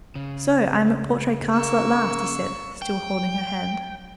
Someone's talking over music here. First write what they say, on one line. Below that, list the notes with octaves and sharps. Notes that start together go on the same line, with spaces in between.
"So I am at Portray Castle at last," he said, still holding her hand.
C#3
A#3 C#6 E6
G5